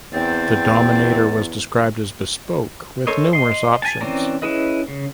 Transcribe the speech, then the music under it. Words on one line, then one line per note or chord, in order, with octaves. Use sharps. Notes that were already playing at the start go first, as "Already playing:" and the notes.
The Dominator was described as bespoke, with numerous options.
E2 C4 A6
A4 A#4 C5 C#5 D#5
D#5 C6
G#5 A5
E3 C4 C#4 D5 A#5
C#4 E4 G#4 B4 D#5
C#3